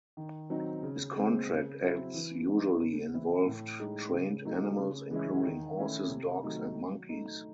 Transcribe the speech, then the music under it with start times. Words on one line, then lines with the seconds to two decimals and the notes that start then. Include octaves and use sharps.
His contract acts usually involved trained animals including horses, dogs and monkeys.
0.17 D#3
0.50 F#3 C4 D#4
0.83 C#3
1.16 G#3 C4
1.49 C#3
1.82 F#3 C4 E4
2.14 E3
2.47 C4 D#4
2.81 C#3
3.13 E3 C4 E4
3.46 A2
3.80 G#3 D#4
4.12 C#3
4.45 F#3 A3 D#4
4.78 C#3
5.11 E3 G#3 C#4 E4
5.44 D#3
5.77 A3 C#4 E4
6.10 C3
6.43 D#3 F#3 A3 D#4
6.76 F#3
7.09 A3 D#4